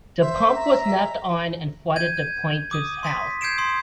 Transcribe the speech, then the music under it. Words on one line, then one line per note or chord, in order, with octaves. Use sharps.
The pump was left on and flooded the plaintiff's house.
C5 E5
A#5
G6 G#6 D#7
D6 D#6 D#7
C6 D#6 A6 B6
G6 G#6 C7 D7 E7
C6 D#6